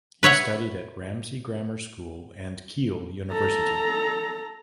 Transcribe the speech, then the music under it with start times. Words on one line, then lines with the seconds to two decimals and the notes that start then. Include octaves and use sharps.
He studied at Ramsey Grammar School and Keele University.
0.23 B4 C#5 E5 F#5
3.32 A4 A#5